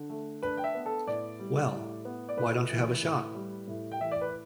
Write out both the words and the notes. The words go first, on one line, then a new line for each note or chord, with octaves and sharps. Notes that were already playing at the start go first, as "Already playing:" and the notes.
Well, why don't you have a shot?
Already playing: D3
A3
D4 B4
G5
E5
B3
A4
A2 D5
G3
A2
B3
D5
A2 B4
E3
A2
G3
A2
G5
E3 E5
D5
B4